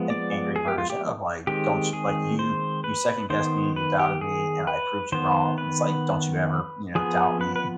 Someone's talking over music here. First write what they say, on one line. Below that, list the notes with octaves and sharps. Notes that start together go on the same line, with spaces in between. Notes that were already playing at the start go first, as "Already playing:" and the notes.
an angry version of like, "Don't you like you you second guessed me, you doubted me, and I proved you wrong." And it's like, "Don't you ever," you know, "doubt me."
Already playing: F3 G#3 B3
D5
G#4
G4
F4
G4
D#3 G#3 C4 G4
G#4
C5
B4
D#3 B3 C5
B4
G4
G#4
B4
D#3 B3 C5
B4
F3 B3 G#4
B4
B4